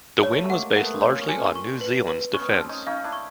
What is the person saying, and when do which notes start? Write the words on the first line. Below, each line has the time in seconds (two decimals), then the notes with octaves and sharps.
The win was based largely on New Zealand’s defence.
0.23 G3 A3 C#5
0.43 A3
0.49 G#3 A#3 F#5
0.76 A3 B3 F#5
0.93 A#3 C4
1.02 C#5
1.11 B3 C#4
1.21 C#4
1.29 C4 D4 G#5
1.55 C#6
1.81 B4
2.07 B4
2.34 B3 C#4 C#6
2.51 C4 D4
2.60 A5
2.69 C#4 D#4
2.87 C#4 D#4 F5
3.04 D4 E4
3.12 C#6